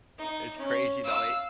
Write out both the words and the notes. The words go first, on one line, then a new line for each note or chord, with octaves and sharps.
It's crazy though, it
D#4
C#4
F5 E6